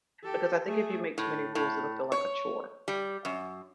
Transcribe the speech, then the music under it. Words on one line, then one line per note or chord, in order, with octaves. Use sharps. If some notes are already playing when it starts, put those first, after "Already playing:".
because I think if you make too many rules, it'll feel like a chore.
G4 A4
A3 G#4
A2
A2
C#5
G3
F#2